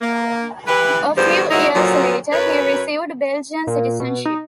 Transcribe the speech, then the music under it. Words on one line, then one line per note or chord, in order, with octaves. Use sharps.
A few years later he received Belgian citizenship.
A#3
E3 E4 G4 B4
E2 G2 D3 F3 G3 C5
F#3 G#3 C#4 D#4 E4 F#4
F#2 A#2 D3 F3 F#3
F#2 B4 C#5
A#2
B2
D#4